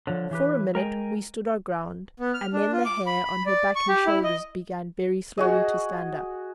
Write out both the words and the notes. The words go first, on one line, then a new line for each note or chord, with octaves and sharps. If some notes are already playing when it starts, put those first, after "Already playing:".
For a minute we stood our ground, and then the hair on her back and shoulders began very slowly to stand up.
D3 F3 C#5
E3 G4 B4
G#3 A#4 G5 G#5
B3
F6
D4
F4
D6
B5
B5
D5
C#6
G4
E4
D#5
F#4 G#4 D#5